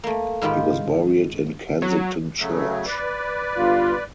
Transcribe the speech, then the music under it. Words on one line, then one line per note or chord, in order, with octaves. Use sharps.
He was buried in Kensington Church.
A3 A#3
G#2 D#3 F4 G4 B5
F#3
C#3 F#3 A3
B4 D5
G1 F4